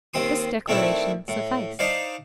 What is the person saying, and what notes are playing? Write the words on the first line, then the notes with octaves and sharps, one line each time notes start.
This declaration sufficed.
D#2 D#3 C4 C6 D#6
D#3 A3 C4 D4 E4
A2
D4 D#4 C5 D5 F5